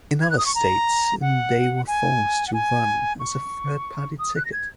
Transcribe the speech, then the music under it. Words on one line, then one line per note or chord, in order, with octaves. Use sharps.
In other states, they were forced to run as a third-party ticket.
G#6
F#6
D#6
C#6
A#5
F#5
G#5
F#5
G#5
C#6
D#6
F#6
A#6
G#6